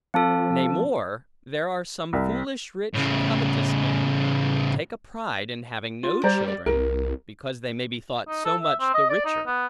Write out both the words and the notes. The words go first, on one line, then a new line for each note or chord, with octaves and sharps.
Nay more, there are some foolish rich covetous men, that take a pride, in having no children, because they may be thought so much the richer.
F3 C4 A4 F5 A5
C2
A2 C#3
F4
G3 C5 D5 A#5
D5
C2 A#4
D#4
A4
E5
C4
D#5
D5
D#4
B3